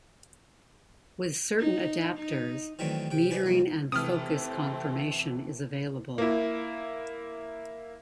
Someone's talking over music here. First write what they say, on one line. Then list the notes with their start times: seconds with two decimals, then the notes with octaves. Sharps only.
With certain adaptors, metering and focus confirmation is available.
1.59 D#4
2.18 D#4
2.79 D#3 E3 F#3 A3 C4 D4
3.11 C3 G5
3.30 G#4 B4 C5 D5 D#5
3.43 C2 F2 A#3
3.92 C3 E3 A3 C4 D#6 F6
6.18 A#3 E4